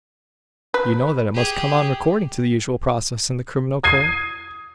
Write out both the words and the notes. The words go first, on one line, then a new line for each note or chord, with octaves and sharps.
You know that it must come on according to the usual process in the Criminal Court.
B4
G4 G#4
D#6 G#6 C7 D#7